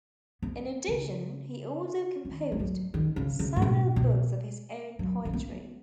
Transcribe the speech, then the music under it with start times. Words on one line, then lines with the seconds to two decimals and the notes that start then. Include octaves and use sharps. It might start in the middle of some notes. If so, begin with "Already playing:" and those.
In addition, he also composed several books of his own poetry.
0.42 B3
0.88 C#3
2.25 D#3
2.52 G#3
2.59 F#3
2.94 D#3
3.16 C#3
3.39 C#3
3.56 G#2
3.62 B2
3.96 B2
4.99 F#3
5.25 C#4
5.33 B3